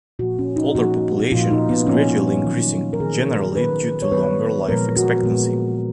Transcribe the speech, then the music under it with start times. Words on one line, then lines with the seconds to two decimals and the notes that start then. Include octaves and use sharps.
Older population is gradually increasing, generally due to longer life expectancy.
0.19 A#2 F3 A#3 F#4
0.39 C#4
0.56 D#4
0.75 A#2 F3 A#3 F#4
1.32 A#2 F3 A#3 F4
1.51 D#4
1.69 B3
1.87 A#2 F3 A#3 C#4
2.44 D#3 F#3 B3
2.93 A#4
3.00 D#3 F#3 B3 G#4
3.28 A#4
3.56 D#3 F#3 B3 B4
4.02 C#5
4.11 D#3 F#3 B3 B4
4.68 A#2 F3 G#3 B3 A#4
4.96 F#4
5.23 A#2 F3 G#3 B3